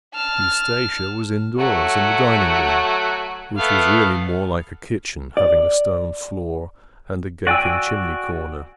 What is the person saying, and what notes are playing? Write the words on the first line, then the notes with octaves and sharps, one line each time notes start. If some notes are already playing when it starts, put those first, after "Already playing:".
Eustacia was indoors in the dining-room, which was really more like a kitchen, having a stone floor and a gaping chimney-corner.
A5 F6
F#3 A3 F#4
A3 B3 F5
D5
F#4 D5 G5 G#5 E6